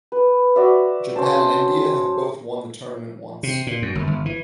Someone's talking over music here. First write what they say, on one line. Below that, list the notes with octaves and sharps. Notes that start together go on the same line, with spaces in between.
Japan and India have both won the tournament once.
B4
F#4 D5 E5
C#4 C5 A5
C3
A#2
F#2
G1
G1
E3